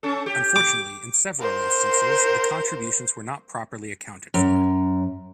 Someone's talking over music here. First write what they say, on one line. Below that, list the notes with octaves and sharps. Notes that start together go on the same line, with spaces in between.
Unfortunately, in several instances the contributions were not properly accounted for.
C#4 A4
G4
D6
A#4 C5
F#2